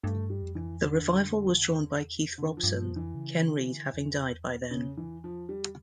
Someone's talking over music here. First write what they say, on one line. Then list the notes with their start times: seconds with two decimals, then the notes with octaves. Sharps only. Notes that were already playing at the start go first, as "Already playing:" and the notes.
The revival was drawn by Keith Robson, Ken Reid having died by then.
0.03 G2 A3
0.30 G3
0.42 F2
0.55 E3
0.82 E2 D3
1.21 F2
1.59 E2
2.37 F2 D3
2.57 F3
2.63 G2
2.76 F3
2.90 F2
2.96 E3
3.15 C#3
3.55 D3
3.94 E2
4.71 C#3
4.97 E3
5.24 F3
5.49 G3